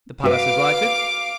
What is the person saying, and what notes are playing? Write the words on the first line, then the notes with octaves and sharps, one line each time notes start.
The palace is lighted.
F#4 B4 F5 D6